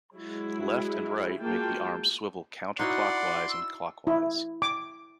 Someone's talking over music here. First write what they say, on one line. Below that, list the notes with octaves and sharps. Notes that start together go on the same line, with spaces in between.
Left and right make the arms swivel counter-clockwise and clockwise.
F#3 G#3 E4 F#4
G#3 A#3 F4 F#4 G5 A5
D#4 E4 F#4 D5 F#5 C6
E6
E4
D6